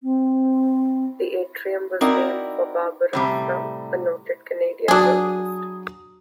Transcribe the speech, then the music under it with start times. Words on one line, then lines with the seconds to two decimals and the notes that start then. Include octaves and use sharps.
The atrium was named for Barbara Frum, a noted Canadian journalist.
0.03 C4
2.01 C4 D#4 E4 F#4 A#4 D5
3.13 A2 C3 G3
4.88 F#3 D4 G#4 D#6